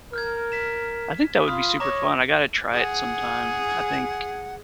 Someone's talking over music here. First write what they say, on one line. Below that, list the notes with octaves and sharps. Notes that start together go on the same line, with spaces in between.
I think that would be super fun, I gotta try it sometime. I think
A#4 F6 G6 G#6
B6 E7
F4 B5 D#6 F6
C#5 A#5 D6 A#6
G#4 F#5